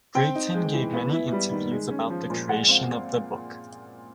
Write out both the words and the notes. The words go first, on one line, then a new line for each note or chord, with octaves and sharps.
Breton gave many interviews about the creation of the book.
C4 G5
D#4
G#3
E3
B3
E4
G3
D#3
G#3
C#4
F3
A#2
G#3 F#5
C4 F5